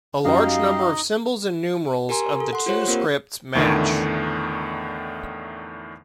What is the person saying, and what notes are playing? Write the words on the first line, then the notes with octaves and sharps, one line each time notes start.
A large number of symbols and numerals of the two scripts match.
F#2 D#4 G4 D#5 F5
G4 A#4 G#5 A#5 C6
A4
F#5 C6
F4 G4 C5 C#5 F#5
A#3 C4 F4 G4 A#4
E2 A2 D3 D#3 A3